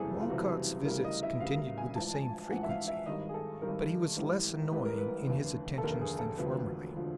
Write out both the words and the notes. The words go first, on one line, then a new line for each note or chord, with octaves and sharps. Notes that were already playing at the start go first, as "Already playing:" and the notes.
Walcott's visits continued with the same frequency, but he was less annoying in his attentions than formerly.
Already playing: F#1 E2 C3 E3 G3 G#4 A4
F4
F#1 E2 C3 E3 G3 F#4
D2 C#3 E3 G3 A#4
D#5
E5
D2 C#3 E3 G3 F5
G#5
A1 G#2 F3 A5
G#5
A1 G#2 F3 F#5
E5
F5
E5
G#1 G2 D#3 G3 D#5
G#4
A4
G#1 G2 D#3 G3 A#4
A1 G#2 E3 G3
A1 G#2 E3 G3 B4
A#4
B4
F1 D#2 D3
A4
F1 D#2 D3 A#4
G#4
A4
E1 D2 D3 F3 B4
D3 F3